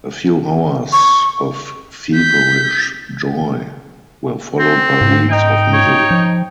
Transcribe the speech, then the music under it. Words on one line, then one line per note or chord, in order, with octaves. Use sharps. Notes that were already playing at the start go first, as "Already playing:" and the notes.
A few hours of feverish joy were followed by weeks of misery.
C#6
G6 B6
C4
G#2
D#4 G5
C#5
F3